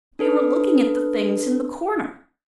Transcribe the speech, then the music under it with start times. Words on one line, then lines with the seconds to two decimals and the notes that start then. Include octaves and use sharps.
'We were looking at the things in the corner.'
0.19 D4 A4 B4